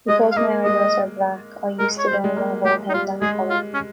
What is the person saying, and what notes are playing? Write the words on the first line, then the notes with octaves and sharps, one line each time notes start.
Because my eyebrows are black, I used to dye my whole head that color.
G#3 D#5
F5
A#3 D#5
G#3 D#5
G#3 A#4
C#5
C5
G3
G#3
A#3
G#3 G4
D#4
G3 F4
G#3 G#4
F4
C#4